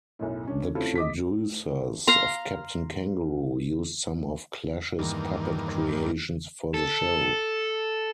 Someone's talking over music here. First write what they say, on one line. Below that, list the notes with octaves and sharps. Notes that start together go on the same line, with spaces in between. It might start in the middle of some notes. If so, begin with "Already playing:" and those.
The producers of "Captain Kangaroo" used some of Clash's puppet creations for the show.
B1 F#2 A2
C#4 D4
A3 C4 C#4 E4 F4 A4
D#5 D6 B6
F5 A#5 C6
E2 G2 D#3 A#3
A4